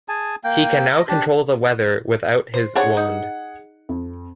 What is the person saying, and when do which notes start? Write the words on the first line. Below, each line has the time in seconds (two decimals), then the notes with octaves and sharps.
He can now control the weather without his wand.
0.08 G#4 G#5 A5
0.44 A#3 G5
0.94 D#5
1.08 D4 G4 A5
2.54 C5
2.75 D4 G#4 C5 C#5 F#5
2.97 D#4
3.89 F2